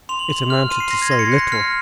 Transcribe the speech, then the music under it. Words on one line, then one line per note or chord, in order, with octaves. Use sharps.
It amounted to so little!
C6 F7
F#7
C6
F7
F6
C6 D#7
C7
C6 A#6
G#6
C6 A#6
C#7
C7
F#6
A#6
F6 C7